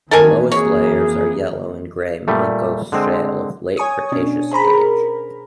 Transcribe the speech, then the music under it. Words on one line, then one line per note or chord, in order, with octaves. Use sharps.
The lowest layers are yellow and gray Mancos Shale of late Cretaceous age.
F2 D#3 E3 A#3 A4 A#4 G#5
G#4 C#5
A#2 G3 A3
D3 G#3 C4
C#5 G#5 C#6 D#6
B2 C#4 D4
G#4 C5 A#5 B5
A#4